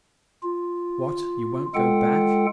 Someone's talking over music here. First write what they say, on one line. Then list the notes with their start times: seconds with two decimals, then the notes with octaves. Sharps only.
"What! you won't go back?"
0.43 F4
1.75 G#3 F4 A4 F#5 G5